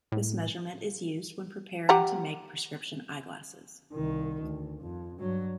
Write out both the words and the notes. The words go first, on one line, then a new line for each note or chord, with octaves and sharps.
This measurement is used when preparing to make prescription eyeglasses.
A2
G4 F#5 A#5
C2 D#3
D2
F2
G2 F#3